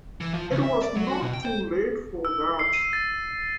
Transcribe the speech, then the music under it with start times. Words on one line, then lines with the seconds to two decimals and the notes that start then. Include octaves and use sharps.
It was not too late for that.
0.21 E3
0.34 F3
0.51 C#2
0.64 E5
0.83 D5
0.96 F#3
1.09 F#4
1.22 B2
1.34 G5
1.45 C5
2.25 E6
2.59 C7
2.73 D#7
2.93 A6